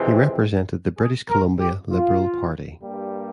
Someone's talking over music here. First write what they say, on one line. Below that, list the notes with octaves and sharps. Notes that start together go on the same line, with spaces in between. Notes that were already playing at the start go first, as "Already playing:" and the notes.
He represented the British Columbia Liberal Party.
Already playing: F2 C3 E3 G#3 C4
G#4
A#4
G4
F4
G2 G3 A#3